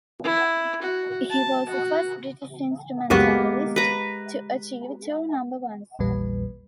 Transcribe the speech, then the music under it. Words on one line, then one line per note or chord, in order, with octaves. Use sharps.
He was the first British instrumentalist to achieve two number ones.
E4
F#4
A5
F#4
C#2 F#2 G#3 A#3 B3 F#4 G4
B4 A#5
A#1 E2 A#2 G3 B4